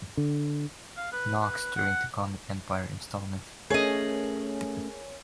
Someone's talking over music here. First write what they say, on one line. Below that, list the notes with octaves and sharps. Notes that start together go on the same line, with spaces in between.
Knox during the Comet Empire installment.
D3
F5
B4
B4
F#5
A3 C#4 G#4 A#4 C#5 D#5 G#5